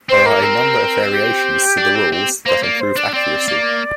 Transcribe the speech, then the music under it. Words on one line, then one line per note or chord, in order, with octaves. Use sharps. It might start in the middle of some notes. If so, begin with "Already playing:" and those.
There are a number of variations to the rules that improve accuracy.
C4 C5
A#3 A#4
C4
G4
D4
C4
C4
A#3 C5
A#3 D5
C5
D4 D5
C4 D5
A#3